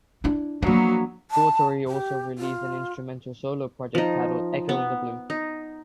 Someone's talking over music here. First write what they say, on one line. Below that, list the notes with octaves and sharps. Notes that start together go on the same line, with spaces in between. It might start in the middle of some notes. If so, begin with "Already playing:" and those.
Daugherty also released an instrumental solo project titled "Echo in Blue".
D4 E4
F3 F#3 A#3 B3 D4
A5
G4
F4
F3 D#4
B3
D#4